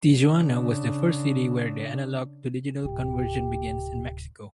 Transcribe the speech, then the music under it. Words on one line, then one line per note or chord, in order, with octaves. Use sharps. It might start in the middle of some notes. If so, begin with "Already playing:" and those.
Tijuana was the first city where the analog to digital conversion begins in Mexico.
C#3 D4
D1 C3 G4